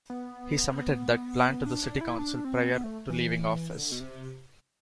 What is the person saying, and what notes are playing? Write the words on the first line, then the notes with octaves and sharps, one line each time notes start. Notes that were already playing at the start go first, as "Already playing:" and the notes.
He submitted that plan to the city council prior to leaving office.
B3
D4
D4
E4
D4
C4
B3
A3
E3
D3
B2
C3